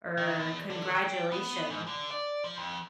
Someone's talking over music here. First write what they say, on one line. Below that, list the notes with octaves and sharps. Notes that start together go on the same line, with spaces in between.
or "congratulation."
D#3
E2
D3
G5
B3
G#2
D3
D5
F3
F2